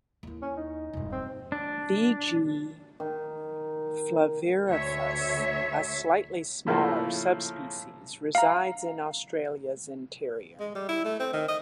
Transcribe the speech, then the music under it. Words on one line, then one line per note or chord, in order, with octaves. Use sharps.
"V. g. flavirufus", a slightly smaller subspecies, resides in Australia's interior.
D#2 E4
C#4
D#4
E1 G2
C4
D4
D#3
D2 C#5 E5
A2 C#3 F3 A3 A#3
F5 A#5
G#3
G3
E4
A3
C4
D#3
D#5